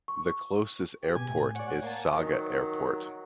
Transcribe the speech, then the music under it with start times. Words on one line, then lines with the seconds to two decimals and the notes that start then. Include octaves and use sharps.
The closest airport is Saga Airport.
0.08 C#6
1.03 G4
1.15 B2 G#5
1.30 A2
1.55 C#5 D5 F#5
1.68 F#5
1.83 A#3 G#5 A5
2.14 D#3 F#3